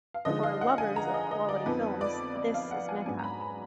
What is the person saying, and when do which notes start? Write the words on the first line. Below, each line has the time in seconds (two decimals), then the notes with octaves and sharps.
For lovers of quality films, this is Mecca.
0.14 F5
0.25 D3 F3 G#3 D#4 D#5
0.43 F5
0.61 F#5
0.78 G#5
0.96 A#5
1.14 D#5
1.31 D#5
1.49 D5
1.66 F2 F3 B3 D#4 B4
2.01 D5
2.36 D5
2.54 F5
2.71 F#5
2.89 G#5
3.06 G#2 F#3 B3 D4 G#5
3.19 A#5
3.24 B5
3.41 A#5